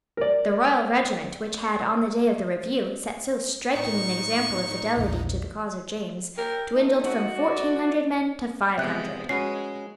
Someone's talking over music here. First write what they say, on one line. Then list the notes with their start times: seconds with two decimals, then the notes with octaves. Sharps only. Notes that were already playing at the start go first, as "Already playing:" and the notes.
The Royal regiment, which had, on the day of the review, set so striking an example of fidelity to the cause of James, dwindled from fourteen hundred men to five hundred.
0.17 A#4 D5
3.75 A2 D#4 C#6
4.97 A#1 E2
6.38 A#4 G5
6.75 A3 D#4
7.05 F#4
7.38 A3 D5
8.78 C3 F3 G#3 B3 E5 F#6
9.29 G#3 C#4 F#4 B4 C7